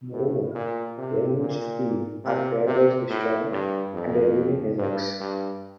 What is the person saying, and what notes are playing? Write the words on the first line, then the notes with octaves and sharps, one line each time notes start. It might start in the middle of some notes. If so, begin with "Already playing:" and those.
Moreover, the elements of "P" are pairwise disjoint and their union is "X".
A2
A#2
C3
A#2
C3
C3
A2
G2
F2
G2
G2